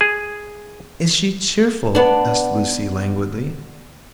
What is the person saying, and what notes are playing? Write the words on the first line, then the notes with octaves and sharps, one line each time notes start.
"Is she cheerful?" asked Lucy languidly.
G#4
B3 D4